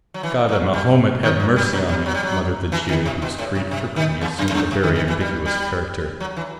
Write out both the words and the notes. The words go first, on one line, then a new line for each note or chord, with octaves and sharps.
"God and Mahomet have mercy on me!" muttered the Jew, whose creed frequently assumed a very ambiguous character.
F#3
E3
F#3
G3
D#3
F#3
G3
F#3
G3
F#3
G3
F#3
E3
D#3
C3
B2
A2
C3
C3
D#3
E2
F#2
F#2
G2
C3
D#3
D#3
E3
G3
G3
F#3
E3